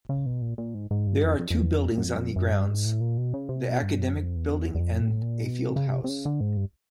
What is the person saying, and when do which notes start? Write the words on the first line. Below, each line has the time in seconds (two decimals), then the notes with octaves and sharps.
There are two buildings on the grounds: the Academic Building and a Field House.
0.09 C#3
0.26 B2
0.42 A#2
0.58 A#2
0.74 G#2
0.91 G#2
1.07 G2
1.23 F2
1.39 F2
1.50 F2
1.55 E2
1.71 F2
1.97 F#2
2.04 F2
2.14 F#2
2.19 F2
2.32 G2
2.36 F#2
2.53 G2
2.69 G#2
2.85 A2
3.01 A#2
3.17 B2
3.34 C#3
3.49 C3
3.66 B2
3.83 G2
3.99 F#2
4.15 F2
4.36 E2
4.52 F2
4.57 E2
4.75 E2
4.80 F2
5.01 A2
5.22 A#2
5.44 B2
5.66 C3
5.76 C#3
5.87 C3
6.04 C3
6.09 C#3
6.25 D3
6.41 G#2
6.57 G2